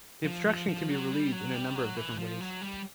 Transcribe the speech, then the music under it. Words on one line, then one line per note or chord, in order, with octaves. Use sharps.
The obstruction can be relieved in a number of different ways.
F3
F3
F3
F#3
G3
F#3
G3
F#3
E3
F3
F#3
G3